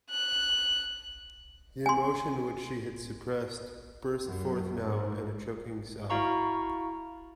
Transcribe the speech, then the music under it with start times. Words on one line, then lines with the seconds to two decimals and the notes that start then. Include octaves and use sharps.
The emotion which she had suppressed burst forth now in a choking sob.
0.10 F#6
1.86 G#5 C6
4.26 F#2
4.83 G#2
6.10 E4 F#4 F5 A#5 C#6